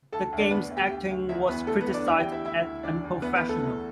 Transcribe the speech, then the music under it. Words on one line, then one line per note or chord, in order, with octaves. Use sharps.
The game's acting was criticized as unprofessional.
D2 A4 A5
D2
D4 D5
D2 B3 B4
D2
G4 G5
D2
D2
E2 E4 E5
E2 B3 B4
D2 A3 A4
B3 B4
D2
D4 D5
E2 E4 E5
G4 G5
E2
E4 E5
D2 E4 E5
D2
E2 D4 D5
E2
D2 B3 B4
B3 B4
D2
A3 A4
E2